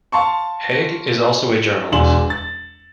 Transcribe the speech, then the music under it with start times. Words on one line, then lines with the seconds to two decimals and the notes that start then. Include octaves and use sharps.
Hague is also a journalist.
0.12 F5 A5 C6 C#6
1.92 E1 D4 G#5 C6 E7 F#7
2.30 A6